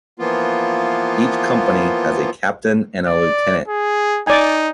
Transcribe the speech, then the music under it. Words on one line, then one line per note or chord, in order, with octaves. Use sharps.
Each company has a Captain and a Lieutenant.
E3 F3 A#3 B3 F4
D5
G#4
D#4 D5 G#5